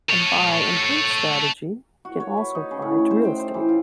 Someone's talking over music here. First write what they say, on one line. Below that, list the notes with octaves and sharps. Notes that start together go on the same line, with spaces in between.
A buy and hold strategy can also apply to real estate.
A4 C#5
F#4
C#5
B4
D#4
C#3
A2
C#5
C5
G5
C5
E3
F4